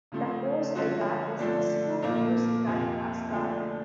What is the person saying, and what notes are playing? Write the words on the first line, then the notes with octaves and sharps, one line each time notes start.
The Prose Edda presents two views regarding Asgard.
C#3 F3 A3 C4 F4
D3 F3 G#3 C#4 F#4
D3 F3 A3 D4
A#2 F3 A#3
F2 C3 F3 A#3
D3 F3 A3 D4